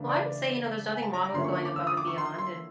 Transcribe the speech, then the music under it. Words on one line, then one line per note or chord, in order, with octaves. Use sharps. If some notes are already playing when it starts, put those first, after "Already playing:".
Well, I would say, you know, there's nothing wrong with going above and beyond and
Already playing: C#3 E3 A3 D4
D5
G#5
A5
A#5
A#5
D3 F3 A#3 C#4 E4 C6
C#6
C#6
D6
E6
D#6
D6
C#6
C6
C6